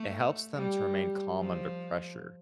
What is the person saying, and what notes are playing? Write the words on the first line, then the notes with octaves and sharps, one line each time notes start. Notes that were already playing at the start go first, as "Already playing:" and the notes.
it helps them to remain calm under pressure,
Already playing: A3
G3
F3